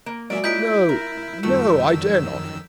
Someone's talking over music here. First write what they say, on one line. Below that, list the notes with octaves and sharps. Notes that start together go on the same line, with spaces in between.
"No--no, I dare not."
A#3
F#3 G#3 A#3 F#4 D5 E5 G#5
G#3 A#3 E4 F4 C#5 G6 B6 D7
A#4
F#2 D#3 G3 A3 F4 F#4 E6
F3